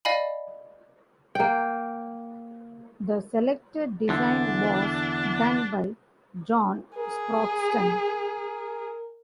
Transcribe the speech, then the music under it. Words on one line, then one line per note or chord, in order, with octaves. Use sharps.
The selected design was done by John Sproston.
D5 D#5 F5 G#5 B5
A#3 G5
E2 D3 D4
G#4 A#4